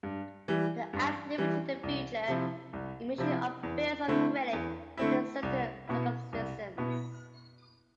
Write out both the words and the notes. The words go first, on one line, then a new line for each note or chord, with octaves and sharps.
The Act limited the future emission of bills of credit to certain circumstances.
G2
E3 G3
G2
E3 G3
C2
C3 F3 C4 E4
C2
C3 F3 C4 E4
E2
D3 A3 C4 E4
E2
D3 A3 C4 E4
C2
B2 B3 E4
C2
B2 B3 E4